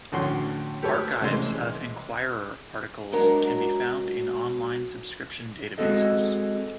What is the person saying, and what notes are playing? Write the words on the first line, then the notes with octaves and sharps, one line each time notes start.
Archives of "Enquirer" articles can be found in online subscription databases.
D2 A2 C#4 F#5 C6
F#3 G4 A4 B4 C#5
C2 C#3 E3 G#3 C6
F#3 G#3 D4 F#4 A#4 C#5
G#3 C4 F#4 G#4 A4 D#5